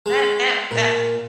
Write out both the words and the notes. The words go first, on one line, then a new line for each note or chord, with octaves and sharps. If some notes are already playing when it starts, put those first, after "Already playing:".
That that that
G#3
A#2